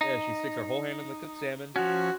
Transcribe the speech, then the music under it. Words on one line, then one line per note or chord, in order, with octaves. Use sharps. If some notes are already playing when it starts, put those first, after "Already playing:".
yeah, she sticks her whole hand in the cooked salmon,
D#4
F3 C#4 F#4